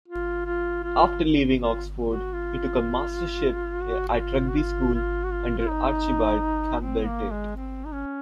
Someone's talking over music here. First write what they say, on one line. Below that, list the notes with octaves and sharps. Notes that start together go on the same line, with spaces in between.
After leaving Oxford he took a mastership at Rugby School under Archibald Campbell Tait.
F4
F4
F4
F4
F#4
F4
F#4
F#4
F4
F#4
F4
F4
F#4
F4
F4
D#4
C4
A#3
G#3
C4
D#4
C#4